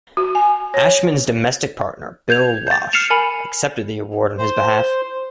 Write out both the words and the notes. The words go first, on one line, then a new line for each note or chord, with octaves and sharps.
Ashman's domestic partner Bill Lauch accepted the award on his behalf.
F#4
G#5
C#5
G6 G#6 F7
G6 A6
F6 C7 C#7 E7 F7
A#4 G#5 B5 C#7
C5